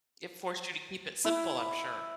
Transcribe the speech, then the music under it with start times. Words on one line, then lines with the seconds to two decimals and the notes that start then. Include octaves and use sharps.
It forced you to keep it simple, I'm sure.
1.25 E4